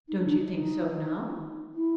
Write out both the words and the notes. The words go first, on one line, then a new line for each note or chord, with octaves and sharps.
"Don't you think so, now?"
D#4
D4
D#4
E4